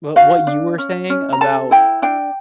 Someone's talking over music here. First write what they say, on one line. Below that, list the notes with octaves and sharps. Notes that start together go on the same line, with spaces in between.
wh what you were saying about
F#4 F5
D4
C#4
C#4
A#5
A4 A5
E4 G5
D4 G5